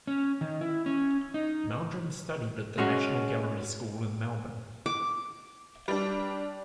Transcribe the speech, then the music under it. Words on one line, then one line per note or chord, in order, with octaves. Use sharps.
Meldrum studied at the National Gallery School in Melbourne.
C#4
D#3
E4
C#4
D#4
G#3 C#4 F#4
D6
G3 D4